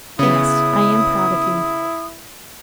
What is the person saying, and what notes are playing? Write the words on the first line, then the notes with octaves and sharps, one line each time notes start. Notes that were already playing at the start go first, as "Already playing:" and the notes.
"Yes, I am proud of you."
C#3 B3 E4 D#6